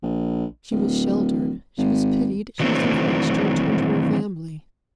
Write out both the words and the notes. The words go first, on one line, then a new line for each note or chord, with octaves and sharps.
She was sheltered; she was pitied; she was encouraged to return to her family.
A#1
D1
G#1
D#3 E3 F#3 A3 C4 D4